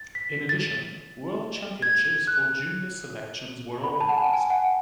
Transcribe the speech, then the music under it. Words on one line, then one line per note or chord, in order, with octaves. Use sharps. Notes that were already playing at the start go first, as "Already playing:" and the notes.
In addition, world championships for junior selections were organized.
Already playing: A6
B6
A6
G#6
G#6
F#6
B5
A5
F#5
G#5
G#5
F#5